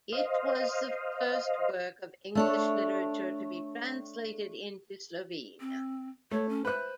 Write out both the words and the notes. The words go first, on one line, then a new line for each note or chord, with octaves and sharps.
It was the first work of English literature to be translated into Slovene.
C5 D#5 F5
A3 D4 C#5
C4
A3 C#5
C#4
B4 C5 F#6